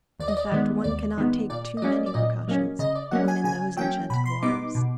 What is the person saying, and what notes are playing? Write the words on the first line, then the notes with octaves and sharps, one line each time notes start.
In fact, one cannot take too many precautions when in those enchanted waters.
D#2 D5
D#5
D5
D#3 G#3 B3
D#2 D5
D#3 G#3 B3
A#2 D5
D#5
F#3 A#3 C#4 D5
D5
A#2 D#5
F#3 A#3 C#4
C#3 D#5
D5
F#3 A#3 C#4 F#5
G#5
C#3 G#5
F#3 A#3 C#4 G5
B2 B5
C6
G3 B3 D#4 D6
B2